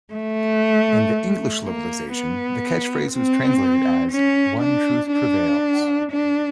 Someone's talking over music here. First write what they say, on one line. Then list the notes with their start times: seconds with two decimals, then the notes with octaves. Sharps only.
In the English localization, the catch phrase was translated as "One Truth Prevails".
0.13 A3
1.64 A#3
2.14 B3
3.13 C4
4.12 C#4
4.62 D4
5.12 D4
6.12 D4